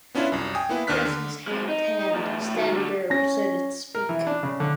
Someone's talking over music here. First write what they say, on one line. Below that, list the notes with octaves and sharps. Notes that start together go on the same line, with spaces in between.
Raising his right hand, Standing Bear proceeded to speak.
B3 C#4 D4 E4 F4
C2 F#2
G5 G#5 D#6
A#3 B3 E4 B4
D#2 D#3 D4 F6 F#6 B6
D3
G#3 C4
D#4
E2 A2
A2
D#3 F#3
D3 A3
C#4 A#6
A#4
E3
D4
C#3
D3